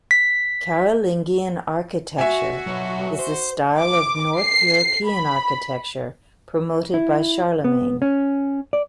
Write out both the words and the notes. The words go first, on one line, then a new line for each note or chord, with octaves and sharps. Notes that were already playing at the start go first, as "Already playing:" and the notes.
Carolingian architecture is the style of North European architecture promoted by Charlemagne.
B6
F#4 E5 G#5
B1 F#3
C5
D6
C7
B5
E4
B3
C#4
D5